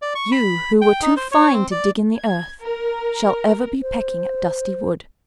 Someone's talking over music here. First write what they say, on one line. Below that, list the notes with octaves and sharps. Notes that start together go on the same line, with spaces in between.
You who were too fine to dig in the earth shall ever be pecking at dusty wood.
D5
C#6
B5
G5
D#4
C5
C#5
C4
D5
G#6
A#4
C5